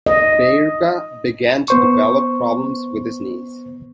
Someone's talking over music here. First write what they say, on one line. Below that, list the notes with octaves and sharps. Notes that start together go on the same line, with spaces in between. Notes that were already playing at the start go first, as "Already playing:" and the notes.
Baerga began to develop problems with his knees.
D#5
B3 C5 C#6